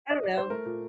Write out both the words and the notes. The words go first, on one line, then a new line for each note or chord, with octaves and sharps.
I don't know.
D#5
D5
C5
A3 A#4
A#2